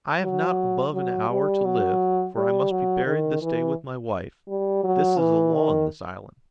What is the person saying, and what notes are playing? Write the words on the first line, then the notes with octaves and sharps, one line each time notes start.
I have not above an hour to live, for I must be buried this day with my wife. This is a law in this island.
F#3
F#3
G3
F#3
G3
F#3
D#3
E3
G3
F#3
E3
D#3